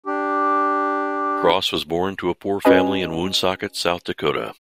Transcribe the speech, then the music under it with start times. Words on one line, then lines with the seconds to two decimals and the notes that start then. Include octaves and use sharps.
Cross was born to a poor family in Woonsocket, South Dakota.
0.06 D4 G4
2.65 C#4 F#4 B4 D#5 G#5